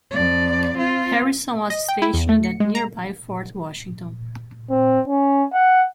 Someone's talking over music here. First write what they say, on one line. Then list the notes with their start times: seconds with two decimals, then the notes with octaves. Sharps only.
Harrison was stationed at nearby Fort Washington.
0.11 F2 D5
0.76 C4 F4
1.70 D#5
1.89 G5
2.02 E4
2.14 E2
2.29 A3
2.44 C#7
2.60 G#3
2.75 A#5
4.70 C4
5.08 C#4
5.54 F#5